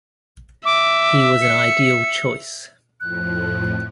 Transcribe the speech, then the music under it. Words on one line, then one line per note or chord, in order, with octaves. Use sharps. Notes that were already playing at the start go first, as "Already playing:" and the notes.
He was an ideal choice.
E5 D6
C#7
F2 A2 F3 F#6